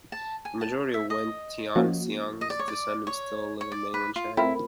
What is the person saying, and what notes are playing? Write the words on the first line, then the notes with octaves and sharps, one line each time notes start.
The majority of Wen Tianxiang's descendants still live in mainland China.
A5
G#5
A5
E5
D#5
F3 A#3 C#4 F#4
D#5
D5
C#5
D5
C#5
C#5
D5
B4
F4
A3 C4 E4 F4 A#4